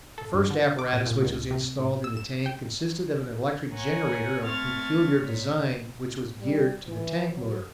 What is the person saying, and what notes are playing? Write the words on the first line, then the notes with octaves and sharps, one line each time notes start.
The first apparatus which was installed in the tank consisted of an electric generator of peculiar design which was geared to the tank motor.
A4
G2
D3
D6
A#2
A#2
C#2
C3
A2
E6
E7
G5
A#4 C#5 F#5 G#5
A3 C4 C#6 F6 G#6 A6
A#2 C#5
G3
E3
F#3